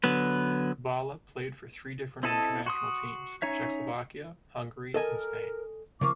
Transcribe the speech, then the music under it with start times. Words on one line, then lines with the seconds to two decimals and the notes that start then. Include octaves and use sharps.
Kubala played for three different international teams - Czechoslovakia, Hungary and Spain.
0.04 D3 F#3 B3 B4
2.23 C4 E4 A4 D#5 A5
2.66 F#4 C6 D#6
3.42 C#4 D#4 C#5 E5
4.94 A4 A#4 D#5 G#5
6.01 C#3 F3 A#3 A#4 C#6 D6